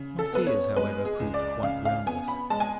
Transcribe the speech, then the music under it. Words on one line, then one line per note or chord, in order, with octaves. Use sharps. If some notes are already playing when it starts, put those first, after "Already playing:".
My fears, however, proved quite groundless.
Already playing: C#3
A4
B3 B4
C#5
G#3 B4
G#4
C#2
D5
C#3 F5
F5
B3 G#5
B5
G#3 A5
G#5